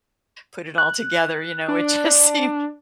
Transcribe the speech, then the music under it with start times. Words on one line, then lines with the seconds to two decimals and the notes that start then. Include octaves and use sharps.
put it all together, you know, it just seemed
0.78 F#6
1.68 D4